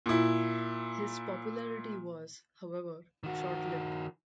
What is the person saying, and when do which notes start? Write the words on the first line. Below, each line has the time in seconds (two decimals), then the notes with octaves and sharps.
His popularity was, however, short-lived.
0.06 A#2 E4
3.23 D#3 F#4